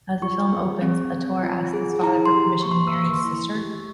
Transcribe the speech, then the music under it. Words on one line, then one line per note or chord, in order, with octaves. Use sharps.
As the film opens Ator asks his father for permission to marry his sister.
F4 C#6
G#4
C4
C4
F4
G#4
E4 A#5
C6
G4
A#3 C#6
C6
E6
A#3 C#6
E4
G4